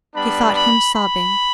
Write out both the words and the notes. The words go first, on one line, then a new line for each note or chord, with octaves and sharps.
She thought him sobbing.
G3 B3 D4 B5
B5
B5